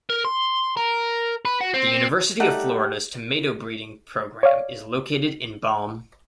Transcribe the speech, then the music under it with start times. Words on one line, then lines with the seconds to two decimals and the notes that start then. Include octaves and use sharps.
The University of Florida's Tomato Breeding Program is located in Balm.
0.10 A#4
0.25 C6
0.77 A#4
1.45 B4
1.61 F#4
1.74 C4
2.40 G3 A3 D#4 G4 F#5
4.43 C#5 D5 F5